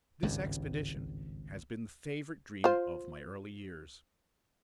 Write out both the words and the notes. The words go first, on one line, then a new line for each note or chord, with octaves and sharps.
This expedition has been the favourite dream of my early years.
G#1 C#2 G2
F4 C5